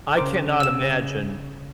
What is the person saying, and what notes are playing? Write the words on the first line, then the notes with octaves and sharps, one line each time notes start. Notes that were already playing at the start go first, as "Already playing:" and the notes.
I cannot imagine
C#3 A#4 C5 D6
E6 E7